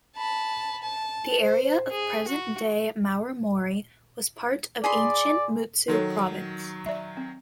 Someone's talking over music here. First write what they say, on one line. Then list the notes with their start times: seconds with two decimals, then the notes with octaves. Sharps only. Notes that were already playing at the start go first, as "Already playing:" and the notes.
The area of present-day Marumori was part of ancient Mutsu Province.
0.16 A5 B5
0.82 A5
1.40 C5
1.90 G#4
2.27 F#4
4.84 G#4 D5 B5 C6
5.88 D#3 F#3 D#4 A4 C#5
6.86 D5 E5
7.17 C4